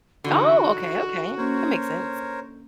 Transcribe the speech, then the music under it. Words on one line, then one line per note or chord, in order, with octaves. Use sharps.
Oh! Okay, okay. That makes sense.
D3 E3 D#4 F#4
A#3 C#4 A#4 C5 C#5